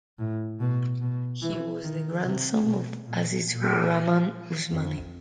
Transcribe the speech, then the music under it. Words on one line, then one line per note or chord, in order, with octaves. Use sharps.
He was the grandson of Azizur Rahman Usmani.
A2
B2
B2
E3
D#3
C3
B2
A#2
A#2
F2